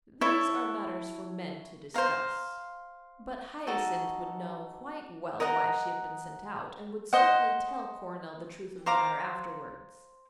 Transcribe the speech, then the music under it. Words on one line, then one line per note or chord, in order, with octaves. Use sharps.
"These are matters for men to discuss." But Hyacinth would know quite well why she had been sent out, and would certainly tell Coronel the truth of the matter afterwards.
E4 A4 C#5
C5 F5 A#5
D#4 F#4 A4
A#4 D#5 F#5 A#5
C5 D#5 F#5
C5 F5 A#5 D6